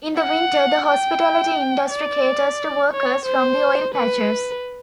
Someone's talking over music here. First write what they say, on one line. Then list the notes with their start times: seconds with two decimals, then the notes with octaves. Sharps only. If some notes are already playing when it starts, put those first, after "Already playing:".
In the winter, the hospitality industry caters to workers from the oil patches.
0.18 F#5
0.86 G5
1.89 D5
2.92 C#5
3.25 C5
3.94 B4